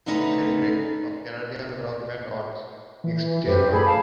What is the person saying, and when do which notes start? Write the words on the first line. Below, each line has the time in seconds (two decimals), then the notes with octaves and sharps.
Stephen Drake, of Canadian rock band Odds, mixed the album.
0.06 D3 A3 C#4 D#4 A4 B4
3.04 E3
3.47 F#2 G4 B4 C5
3.72 A2 G#4 A4 B5
3.85 F5 A5